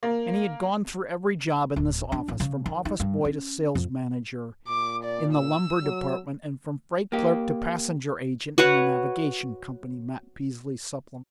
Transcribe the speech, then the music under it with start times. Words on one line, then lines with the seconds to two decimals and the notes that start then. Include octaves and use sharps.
"And he had gone through every job in this office, from office boy to sales manager in the lumber department and from freight clerk to passenger agent in the navigation company," Matt Peasley supplemented.
0.03 A#3
1.76 D1
2.12 D4
2.28 A1
2.40 C#3
2.66 D#3
2.85 D#4
3.00 G2
3.25 C#4
3.75 F2
4.67 A#2 D6
5.04 D5
5.34 E6
5.83 F#3
7.12 A#3 G4
8.58 F#4 B4 C#5 F#5